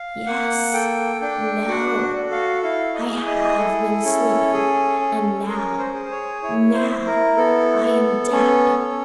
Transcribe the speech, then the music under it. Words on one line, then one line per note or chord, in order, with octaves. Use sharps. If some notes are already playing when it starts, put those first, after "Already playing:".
"Yes;--no;--I have been sleeping--and now--now--I am dead."
Already playing: F5
A#3 F#5
A4 G5
D4 G5
F#4 F#5
A4
F5
E4 F5
D#5
G#4
D#5
E4 A4
C#4
G#4
C#4
C#4 A#4
C5
G#4
C#5
E4 C#5
C5
E4
A#4
B3 A4
B3
C#4 A4
C#4